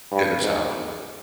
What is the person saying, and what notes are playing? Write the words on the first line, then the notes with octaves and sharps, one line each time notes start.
dinners out of.
G2
G#2